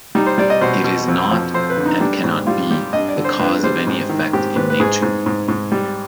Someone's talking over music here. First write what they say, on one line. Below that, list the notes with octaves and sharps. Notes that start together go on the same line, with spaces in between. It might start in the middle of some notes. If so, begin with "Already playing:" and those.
It is not, and cannot be, the cause of any effect in Nature.
G3 D#4
C5
G3 D5
D#5
B2 C5
B2
F2
F3
F2 C5
B4
D3
D#4
G3 D4
G#2
G3 F4
G3 G4
G2 D#5
D5
D3
C5
G2 B4
G3 C5
G#2
D#3
G#2 G4
G#2 B4
B4
G#2 G#4
G#2
G#2
G#2
G3